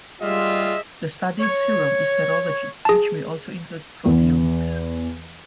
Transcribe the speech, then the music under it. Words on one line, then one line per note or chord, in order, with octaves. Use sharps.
The study of serum is serology, which may also include proteomics.
G3 F4 G#4 D#5 E5
C#5
G#4 A5
E2